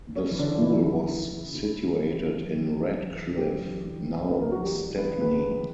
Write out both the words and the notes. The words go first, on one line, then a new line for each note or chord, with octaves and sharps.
The school was situated in Ratcliff, now Stepney.
F#2 C#4
E3
D3 D4
C#3
F#2 E3 E4
F#2
E3
D2
E3
C#3
D2
D2
E3
E3
F#2
E3
F#2
E3
F#2
F#2
E3
C#3
F#2 G3 G4
F#2
E3
D2
E3
C#3
D2 B3 B4
D2 A#3 A#4
F#3 F#4
E3 G3 G4
C#2
E3
B3 B4
C#3
C#2 B3 B4
C#2
E3